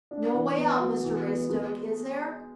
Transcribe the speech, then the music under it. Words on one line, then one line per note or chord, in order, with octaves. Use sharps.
"No way out, Mr Raystoke, is there?"
D4
E3
B3
F#4
E3
B3
G#3